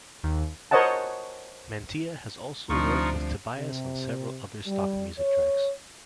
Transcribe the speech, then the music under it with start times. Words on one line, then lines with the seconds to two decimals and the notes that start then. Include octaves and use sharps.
Mantia has also worked with Tobias on several other stock music tracks.
0.24 D#2
0.71 A#4 C5 C#5 D#5 F#5 A5
2.69 D2 C3 F3 D4 D#4 F4 C#6
3.57 C3
4.66 G3
5.18 C#5